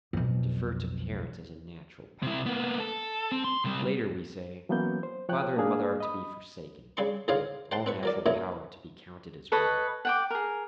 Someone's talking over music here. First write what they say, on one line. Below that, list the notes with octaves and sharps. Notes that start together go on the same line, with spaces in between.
We defer to parents as a natural power; later we say: Father and mother are to be forsaken, all natural power to be counted as riven.
B1 F2
C3 E4
A#3 B3
A4
C4
C6
C3 G3
E3 F#3 A#3 B3 C#4 G6
C5
F3 C#5 G5 F#6
A#3 D4 G#4 F5
D#5 B5 D#6
C#3 G3 D4 C6 C#6
C#2 G#2 D3 C5 C#5 F5
C5 F#5 G5 A5 C6
C4 B4 C#6
F#3 A#4 D5
F#2 A#2 A3 E4 A#4 C#5
A4 B4 C#5 D#5
F#5 G5 D6
G#4 A#4